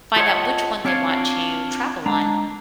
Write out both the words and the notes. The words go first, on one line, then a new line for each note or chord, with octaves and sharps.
find out which one they want to travel on,
F4 G#4 A4 C#5 D#5 F#5
C4 D4 F4 C#5 D5 F5
G#3 D4 A#5